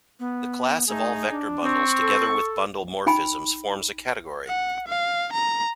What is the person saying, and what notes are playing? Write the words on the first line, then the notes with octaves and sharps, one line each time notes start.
The class of all vector bundles together with bundle morphisms forms a category.
B3
A3 D#4 G#4
D4
C4 C#6
A4
D#4 G5 G#5 B5
F#5
F5
A#5